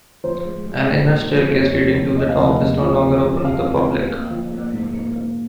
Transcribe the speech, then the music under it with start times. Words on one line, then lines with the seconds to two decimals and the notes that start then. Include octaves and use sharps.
An inner staircase leading to the top is no longer open to the public.
0.24 F3 C5
0.45 G#3
0.66 G#3
0.88 A#1
1.10 G#2
1.31 F3
1.52 D#2 C#5
1.73 F1
1.94 D#2
2.16 D#2 D#5
2.29 F5
2.38 F1 D#5
2.59 D#2
2.81 F3
3.02 C#3
3.23 F2
3.45 F2 F5
3.65 F2
3.87 F3
4.08 A#3
4.30 F3
4.52 A#3
4.73 G#2
4.94 A#3
5.16 A#3